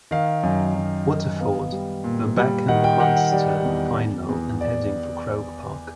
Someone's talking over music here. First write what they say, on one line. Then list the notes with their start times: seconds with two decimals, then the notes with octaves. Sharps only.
Waterford were back in the Munster final and heading for Croke Park.
0.11 D#3 F5
0.43 F#2
0.76 F#2
1.08 D#3
1.40 B3 F5
1.72 G3
2.04 A#2
2.36 G3
2.68 D#3 F#5
2.84 G5
3.00 D#3 F#5
3.16 F#5
3.32 G3 D5
3.65 E2
3.97 E2
4.29 E2
4.61 D5